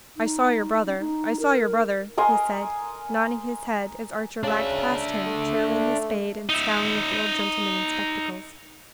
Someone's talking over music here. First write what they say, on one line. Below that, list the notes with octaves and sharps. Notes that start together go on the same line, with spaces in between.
"I saw your brother--I saw your brother," he said, nodding his head, as Archer lagged past him, trailing his spade, and scowling at the old gentleman in spectacles.
D#4
C#4
D#4
A#4
A#4 D#5 G#5 C6
C#3 D4 E5
A3
D#4 E5